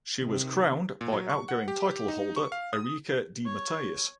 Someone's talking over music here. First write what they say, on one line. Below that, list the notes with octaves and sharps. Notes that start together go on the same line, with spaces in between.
She was crowned by outgoing titleholder Erica De Matteis.
C3 D#3
A#2
F#3
C#6
F#5
G4
D#4
C#6
F5
D#6
C#5